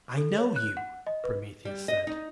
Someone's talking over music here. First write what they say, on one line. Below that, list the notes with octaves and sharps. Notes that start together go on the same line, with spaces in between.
"I know you," Prometheus said.
A4
C#5
F#6
F#5
D#5
B4
G3
D#5
D#4